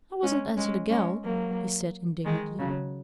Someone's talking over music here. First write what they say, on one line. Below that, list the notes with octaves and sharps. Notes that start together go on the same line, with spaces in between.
"I wasn't atter the gal," he said indignantly.
G#3 C#4
G#3 C#4
G#3 C#4
F#3 A#3
D#3 G#3
C#3 F#3